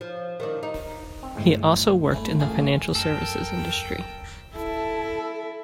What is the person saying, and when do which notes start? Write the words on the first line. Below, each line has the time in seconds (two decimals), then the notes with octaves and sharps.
He also worked in the financial services industry.
0.01 F3
0.40 D#3 E3 D4
0.63 D#4
1.23 C4
1.36 G1 A2 G#3
2.11 A3 C#4 E4
2.39 A1 A3 A#3 F4 G#4
2.95 F#2 A4 A#4 G5
4.55 E4 A4